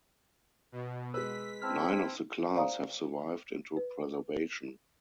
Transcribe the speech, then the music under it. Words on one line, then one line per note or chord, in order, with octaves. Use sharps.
Nine of the class have survived into preservation.
B2
G#3 B4 E6 B6
C4 E4 A5 F6
C5 D5 F5 A#5 D#6
B4